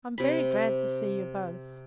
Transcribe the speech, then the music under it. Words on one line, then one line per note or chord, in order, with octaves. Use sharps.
I'm very glad to see you both.'
C3 B5